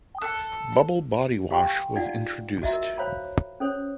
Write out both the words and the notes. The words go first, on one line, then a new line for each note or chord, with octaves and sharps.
Bubble Body Wash was introduced.
A4 F#6
G4 F5 G5 G#5 C6 C#6
D#4 F4 D5 F5 F#5
F#4 D#5 E5 A#5
A#4
C5 C#5 F5 A#5 B5
C#4 A4 C5 C#5